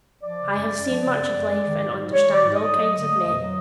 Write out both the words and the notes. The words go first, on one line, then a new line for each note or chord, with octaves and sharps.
I have seen much of life, and understand all kinds of men.
F3 D5
C#3
F#2
F#2
F3
C#3
F#2
F#2
G#3
D#3
G#2
G#2
G#3 C#5
D#3
D5
G#2
G#2 D#5
F#3
D3
A3
F2
F#3